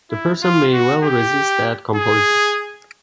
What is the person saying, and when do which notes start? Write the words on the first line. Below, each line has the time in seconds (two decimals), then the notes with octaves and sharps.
The person may well resist that compulsion.
0.11 E4
0.42 F4
0.73 F#4
1.04 G4
1.96 G#4